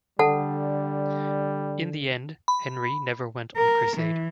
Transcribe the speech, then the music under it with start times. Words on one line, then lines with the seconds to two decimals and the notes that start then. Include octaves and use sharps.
In the end, Henry never went on crusade.
0.19 D3 G3 A4 F#5 A5
2.48 B5
3.57 A#4
3.96 E3